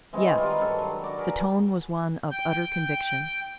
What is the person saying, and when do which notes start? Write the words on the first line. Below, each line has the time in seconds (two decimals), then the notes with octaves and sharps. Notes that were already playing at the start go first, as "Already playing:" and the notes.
"Yes." The tone was one of utter conviction.
0.13 E3 G#3 C4 F#4
0.38 D#3 G3 F4
0.61 G2 A4 C#5
0.79 F#3
1.04 F#4 D5
1.18 G#4 A#4 B4
2.31 G5